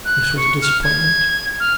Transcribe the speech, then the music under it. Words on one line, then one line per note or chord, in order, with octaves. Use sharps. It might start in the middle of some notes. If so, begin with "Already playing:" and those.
This was a disappointment.
F#6
C#6
F6
G#6
F6